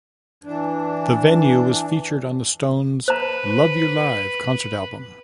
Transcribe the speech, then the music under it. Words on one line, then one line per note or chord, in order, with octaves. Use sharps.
The venue was featured on the Stones' "Love You Live" concert album.
E3 D4
B4 C5 A#5